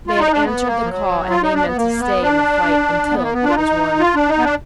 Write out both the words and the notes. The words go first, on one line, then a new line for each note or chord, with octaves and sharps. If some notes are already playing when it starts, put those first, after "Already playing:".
They had answered the call and they meant to stay in the fight until it was won.
F4
D#4
D4
B3
A#3
F3
F#3
F4
D#4
D4
B3
A#3
B3
D4
B3
A#3
B3
D4
F4
D#4
F4
D4
D#4
B3
D4